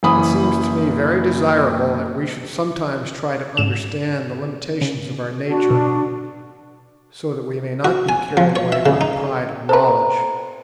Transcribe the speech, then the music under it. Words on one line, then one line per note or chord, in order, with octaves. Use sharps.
It seems to me very desirable that we should sometimes try to understand the limitations of our nature, so that we may not be carried away by the pride of knowledge.
F#1 E3 B5 D#6
G#2 E7
C#3
D4 F#4
B2
F#4
G#5
F3
C#5
E5
C#3
D#4
A4 B4 C5 A#5